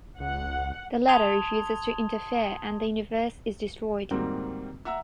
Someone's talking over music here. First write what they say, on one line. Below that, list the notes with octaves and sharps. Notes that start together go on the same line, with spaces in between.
The latter refuses to interfere and the universe is destroyed.
C#2 F#5
A5 C6 D#6 G#6 F7 G7
G#2 D#3 G3 A#3 C4 F#4
E5 F#5 A#5 E6